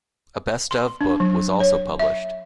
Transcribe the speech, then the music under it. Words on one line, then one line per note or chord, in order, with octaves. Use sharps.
A "Best of" book was also published.
C6
D4
F#3
C#5
E5